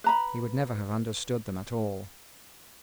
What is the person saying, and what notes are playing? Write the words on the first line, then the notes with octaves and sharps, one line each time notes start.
He would never have understood them at all.
B4 A#5 B5